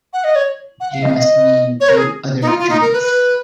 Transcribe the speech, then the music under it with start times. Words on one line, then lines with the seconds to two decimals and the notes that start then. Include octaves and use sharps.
You must mean two other trees.
0.13 F#5
0.24 D#5
0.35 C#5
0.80 F#5
0.91 F5
1.02 D#5
1.09 F5
1.16 D#5
1.80 C#5
1.88 A#4
1.97 G#4
2.41 D#4
2.47 F4
2.58 F4
2.69 D#4
2.81 A#4
2.92 B4
3.03 B4